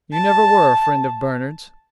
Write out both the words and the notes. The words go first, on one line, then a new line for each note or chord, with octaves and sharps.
"You never were a friend of Bernard's."
A5